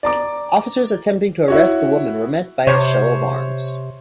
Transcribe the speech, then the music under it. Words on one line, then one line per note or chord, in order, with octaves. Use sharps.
Officers attempting to arrest the woman were met by a show of arms.
D5 A#5 D6
E4 F#4 C#5
C3 C5 C#5